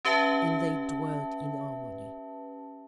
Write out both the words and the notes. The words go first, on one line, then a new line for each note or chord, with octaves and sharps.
And they dwelt in harmony.
C#4 G4 B4 E5 G5 A5